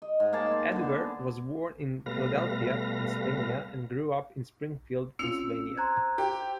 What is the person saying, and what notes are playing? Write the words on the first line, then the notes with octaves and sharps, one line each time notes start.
Edgar was born in Philadelphia, Pennsylvania, and grew up in Springfield, Pennsylvania.
D#5
G#2
A#3 G#4 C#5 A5
C4
D3 B3
B2 G3 A3 B4 F5 A#6
C4 C#4 F4 E6 C#7 F7
C5 A#5 C6 F#6 G#6
G4